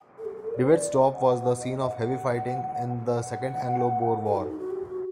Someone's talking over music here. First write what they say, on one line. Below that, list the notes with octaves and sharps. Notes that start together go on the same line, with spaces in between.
Dewetsdorp was the scene of heavy fighting in the Second Anglo-Boer War.
A4
G4
A4
A#4
D5
C5
D5
D#5
F#5
D#5
D#5
F#5
F#5
A4
F#4
D#4
D#4
F#4
G4
F#4